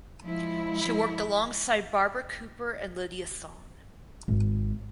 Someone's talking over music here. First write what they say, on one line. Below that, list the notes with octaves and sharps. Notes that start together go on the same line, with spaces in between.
She worked alongside Barbara Cooper and Lydia Sohn.
F3 G#3 E4
G#1